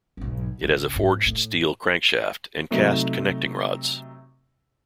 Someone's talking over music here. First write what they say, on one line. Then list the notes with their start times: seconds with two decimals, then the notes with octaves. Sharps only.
It has a forged steel crankshaft and cast connecting rods.
0.17 B1 G#2
0.62 G#1 C#2
0.96 G#2
1.26 A2
2.71 C3 F#3 A3 D#4